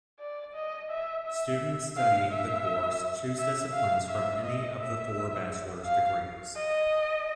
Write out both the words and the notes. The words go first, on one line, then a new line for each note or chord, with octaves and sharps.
Students studying the course choose disciplines from any of the four bachelor's degrees.
D5
D#5
E5
E5
F5
E5
E5
F5
E5
D#5
E5
F5
D#5